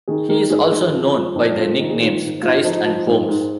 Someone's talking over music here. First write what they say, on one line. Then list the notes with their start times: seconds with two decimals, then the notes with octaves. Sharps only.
He is also known by the nicknames "Christ" and "Holmes".
0.08 D#3 G#4
0.29 D#3 A#4
0.50 G#2 G#4
0.72 G#2
0.93 F3
1.15 F3
1.35 F2 D#4
1.57 F2 F4
1.78 D#3 D#4
1.90 G#4
1.99 D#3 F4
2.21 G#2
2.42 G#2 F4
2.64 F3 D#4
2.85 F3
3.07 G#2
3.28 G#2